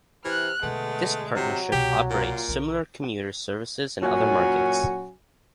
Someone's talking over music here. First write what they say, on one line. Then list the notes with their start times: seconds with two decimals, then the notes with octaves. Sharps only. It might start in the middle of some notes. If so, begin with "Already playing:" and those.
This partnership operates similar commuter services in other markets.
0.25 C3 E3 F6 F#6
0.63 B2 D3 G#3 A3 B3
1.36 C3 F#3
1.72 C2 B2 G4
2.10 A#2 F4 A#5
2.48 B1 D3 A#4
4.03 A#2 F#3 C#4 F#4 G#5